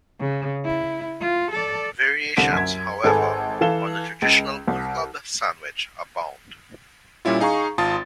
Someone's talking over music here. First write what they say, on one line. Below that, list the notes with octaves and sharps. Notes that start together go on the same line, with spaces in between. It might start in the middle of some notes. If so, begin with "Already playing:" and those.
Variations, however, on the traditional club sandwich abound.
C#3
E4
F4
A4 D5
C2 D3 B6 D7
F#2 G#6
G#1 G#4 A4 B4 G#5
E3 A4 F5 E7 G7
C#2
C2
A#2 G3 C#4 E4 F4
D#4 G#4 F5 A#5 C#6
G#1 F4 A5 C6 D#6 A6